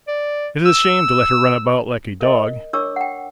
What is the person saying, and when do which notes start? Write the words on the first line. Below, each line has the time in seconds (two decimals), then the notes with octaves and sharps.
It is a shame to let her run about like a dog.
0.08 D5
0.66 E6
2.21 A#4 D#5
2.73 D4 A#4 C#5 C#6 D6 E6
2.96 F#5 G5